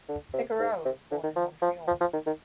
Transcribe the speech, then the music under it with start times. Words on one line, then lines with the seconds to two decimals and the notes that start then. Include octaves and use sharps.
Figueroa was born in Montreal.
0.09 D3
0.33 C3
0.59 G#2
0.85 C3
1.11 D3
1.23 D#3
1.36 F3
1.61 F3
1.87 F3
2.00 F3
2.13 D#3
2.26 D#3